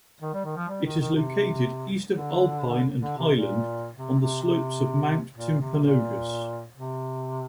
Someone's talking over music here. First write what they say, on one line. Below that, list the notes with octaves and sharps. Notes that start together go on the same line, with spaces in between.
It is located east of Alpine and Highland on the slopes of Mount Timpanogos.
D#3
G3
D#3
F3
G3
D#3
D#3
C3
D3
D3
C3
A#2
C3
C3
C3
A#2
C3
A#2
C3